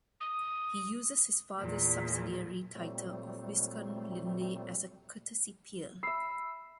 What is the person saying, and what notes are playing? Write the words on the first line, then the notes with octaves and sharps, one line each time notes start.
He uses his father's subsidiary title of Viscount Linley as a courtesy peer.
D#6
E2 A#2
A#2 F#3 G3 A3 C4
E5 B5 E6 C7